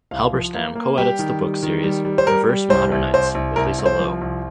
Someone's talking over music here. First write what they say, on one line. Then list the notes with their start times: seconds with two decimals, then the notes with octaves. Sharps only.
Halberstam coedits the book series "Perverse Modernities" with Lisa Lowe.
0.11 C2 F5
0.33 F3
0.54 A#3 F5
0.75 A#3
0.97 G3 G4
1.19 D#3
1.41 G3
1.63 D#3
1.84 G3
2.05 G3
2.18 C5
2.27 G3 A#4
2.49 G3
2.70 C2 C5
2.92 C2
3.13 C2 C5
3.35 C2
3.56 C2 A#4
3.78 C2
3.86 C5
3.99 F3
4.21 C2